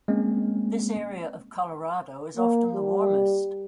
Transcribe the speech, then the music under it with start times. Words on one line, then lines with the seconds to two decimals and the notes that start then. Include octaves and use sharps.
This area of Colorado is often the warmest.
0.08 G#3 A#3 C4 C#4
2.37 A#3
2.74 G3